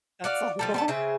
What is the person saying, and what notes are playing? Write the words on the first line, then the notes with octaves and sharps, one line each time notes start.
That's a lot.
F#4 D5 F5
F3 G3 A4
G3 B3 A4
C#3 C4 G#4 E5